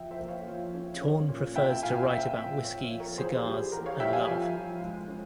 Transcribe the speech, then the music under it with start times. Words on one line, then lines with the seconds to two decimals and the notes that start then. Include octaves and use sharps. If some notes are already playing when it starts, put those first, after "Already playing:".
Torn prefers to write about whisky, cigars and love.
Already playing: E3 F3 E5 G5
0.11 C5 E5
0.19 A#3
0.28 C#5 F5
0.47 F3
0.75 C#4
1.01 C#4
1.29 A#2
1.55 C#4 E5 G5
1.83 A#2 F5 G#5
2.10 C4 E5 G5
2.37 A#2
2.64 A#2 C#5 F5
2.91 F3
3.00 A#4 C#5
3.18 E3 G#4 C5
3.37 G4
3.46 G3
3.54 G#4
3.72 E3 G4 A#4
3.86 C#5 F5
4.00 G3 E5 G5
4.13 F5 G#5
4.27 F3
4.54 F3
4.81 G#3
5.08 C#4